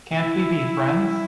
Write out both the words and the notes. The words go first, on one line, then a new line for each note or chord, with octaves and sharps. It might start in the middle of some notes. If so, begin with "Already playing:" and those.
Can't We Be Friends?
E4